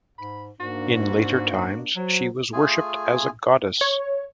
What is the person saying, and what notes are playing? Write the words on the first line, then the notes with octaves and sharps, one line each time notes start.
In later times, she was worshipped as a goddess.
G#2 B5
G#2 A#3 D4 F#4
F#3 F#4 C5
A3 F4 G#4 G#5
C#5